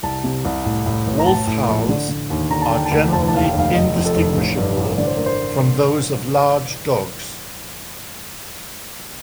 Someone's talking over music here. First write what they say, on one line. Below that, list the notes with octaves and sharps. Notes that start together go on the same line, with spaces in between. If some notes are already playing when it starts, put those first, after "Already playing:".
Wolf howls are generally indistinguishable from those of large dogs.
C2 A5
C3
C2
A2
A2
A1
A#5
A2 A5
A2
A#1
D3
D3
D#2
D3 A#5
A5
D3 G5
A5
D2
F1 A5
A5
D#2 F5
G5
F1
F5
F1 D#5
F2
A4
F1
A1
G2
A1
D3 D5
C5
D3 A#4
C5